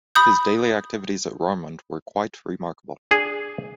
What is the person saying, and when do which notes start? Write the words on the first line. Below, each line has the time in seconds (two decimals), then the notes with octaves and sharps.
His daily activities at Roermond were quite remarkable.
0.15 B5 D#6 G6
3.11 D4 G#4